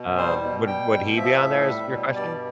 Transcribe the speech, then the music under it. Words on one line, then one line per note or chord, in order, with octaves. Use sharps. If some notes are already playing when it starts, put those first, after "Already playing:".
Um, would would he be on there is your question?
Already playing: B2
G3 C5
B2
G3 G5
B2
F3 E5
A2
G3
B2
G2 D5